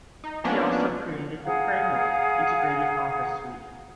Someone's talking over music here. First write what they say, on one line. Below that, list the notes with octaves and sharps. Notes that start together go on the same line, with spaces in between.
He also created the Framework integrated office suite.
D#4
F3 A#3 B3 C#4 D4
G#4 F5 F#5 A#5